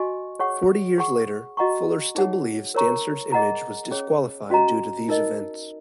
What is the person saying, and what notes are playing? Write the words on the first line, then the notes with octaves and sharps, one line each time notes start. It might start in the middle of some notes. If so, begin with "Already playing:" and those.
Forty years later, Fuller still believes Dancer's Image was disqualified due to these events.
Already playing: F#4 D#5 G#5 C#6
G#4 C#5 F#5 C#6
G#4 F#5 C#6
F#4 D#5 F#5 A#5 C#6
D#4 G#4 C#5 F#5
A#4 C#5 A#5 C#6
G#4 D#5 F#5 A#5
C#4 G#4 C#5
C#4 F#4 D#5 A#5
D#4 A#4 D#5